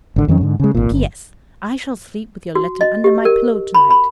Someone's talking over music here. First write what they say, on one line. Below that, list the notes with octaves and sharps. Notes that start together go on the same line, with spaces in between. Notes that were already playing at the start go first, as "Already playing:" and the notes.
P.S. I shall sleep with your letter under my pillow tonight.
G#1 D3
F2 D#3 F#3 C#4
G#2 D3
C#3 G#3
G#1 A#2
G1
F#4
D#5
G4
A#4
B5
B5